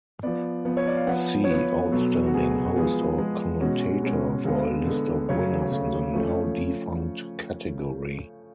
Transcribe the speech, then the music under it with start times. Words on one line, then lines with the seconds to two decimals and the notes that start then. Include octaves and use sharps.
See Outstanding Host or Commentator for a list of winners in the now-defunct category.
0.23 F3 B3 D5
0.65 F3 B3
0.77 C#5
0.87 D5
0.97 F5
1.07 F3 B3 F#5
1.44 C#5
1.50 F3 B3 B4
1.91 B2 F#3 B3 A4
2.26 F#4
2.34 B2 F#3 B3 G#4
2.66 F#4
2.76 F3 G#3 B3 G#4
3.18 F3 G#3 B3
3.61 B2 G#3 C#4 F#4
4.03 B2 G#3 C#4
4.45 D3 G#3 B3 F5
4.87 D3 G#3 B3
5.29 C#3 F#3 A3 C#5
5.71 C#3 F#3 A3
6.13 F3 A3 C#4